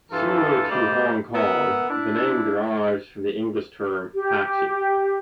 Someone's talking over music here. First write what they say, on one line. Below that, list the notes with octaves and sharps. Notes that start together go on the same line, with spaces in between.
Similar to Hong Kong, the name derives from the English term "Taxi".
G2 E3 F4 A4
G3 A3 A#3 C5 D5 D#5
B3 A#4 E5 F#5
D4 E4
G4